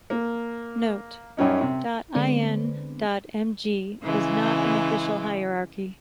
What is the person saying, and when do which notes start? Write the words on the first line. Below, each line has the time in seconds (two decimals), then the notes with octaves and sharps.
Note: ".in.mg" is not an official hierarchy.
0.10 A#3
1.37 F#2 G3 C#4 D#4
1.61 C3
2.15 D3 G#3 B3 C4 D4
4.02 C#3 E3 G#3